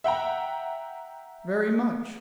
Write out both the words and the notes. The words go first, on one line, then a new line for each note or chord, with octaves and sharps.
"Very much."
E5 F#5 G5 A#5